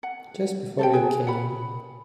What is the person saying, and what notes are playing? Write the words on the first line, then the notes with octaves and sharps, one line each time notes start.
Just before you came.
F#5
A4 C5 G5
G#4 B4 G5 G#5
F#5 B5